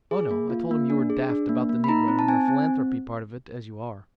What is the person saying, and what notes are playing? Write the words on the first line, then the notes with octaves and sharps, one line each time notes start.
"Oh, no. I told him you were daft about the negro and the philanthropy part of it, as you are."
G#4
A#3
F4
A#3
D4
G#4
D4
A#3
A#3
B5
D#4 A#5
C4
A5
C4 G#5
C4